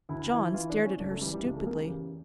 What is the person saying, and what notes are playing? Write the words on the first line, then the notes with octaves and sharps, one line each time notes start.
John stared at her stupidly.
D2 E4
E3 E4
E4
E3 F4
D4
E3
C#4
C#2 D4
A3
E3 G3
G3
C#2 G3
A3
C#3 A#3
G4
E2